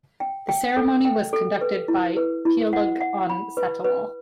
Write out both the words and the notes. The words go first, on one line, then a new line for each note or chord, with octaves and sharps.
The ceremony was conducted by Piailug on Satawal.
G5
G5
A4
G5
A4
B4
E4
B4
E4
F#5
F#5
B5
B4
B4